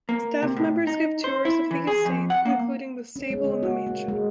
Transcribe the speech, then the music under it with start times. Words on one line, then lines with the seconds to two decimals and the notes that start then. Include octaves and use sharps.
Staff members give tours of the estate, including the stable and the mansion.
0.09 A#3
0.42 C3
0.56 A2
0.87 D#4
1.24 C5
1.45 E4
1.71 E3
1.87 G#4
2.05 F2
2.30 F#5
2.45 A#3
3.16 C#4
3.30 G#3
3.44 C#4
3.63 F#4
3.87 A#3
4.08 G#3